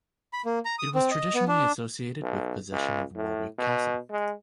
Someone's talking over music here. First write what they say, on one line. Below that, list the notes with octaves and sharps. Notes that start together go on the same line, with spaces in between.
It was traditionally associated with possession of Warwick Castle.
B5
A#3
A#5
D#6
C4
D#5
B3
D4
B1
C#2
A2
B2
G#3